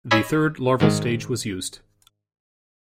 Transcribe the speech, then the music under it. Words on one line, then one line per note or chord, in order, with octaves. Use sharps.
The third larval stage was used.
C#5 D#5 G#5 B5 E6 B6
G#2 D#3 G#3